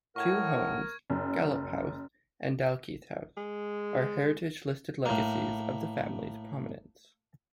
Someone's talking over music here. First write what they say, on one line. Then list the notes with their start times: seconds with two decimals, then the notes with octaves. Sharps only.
Two homes, Gallop House and Dalkeith House, are heritage-listed legacies of the family's prominence.
0.16 A2 A#4 F#5 C#6 G#6
1.10 F#1
3.37 G#3
5.06 A2 A#3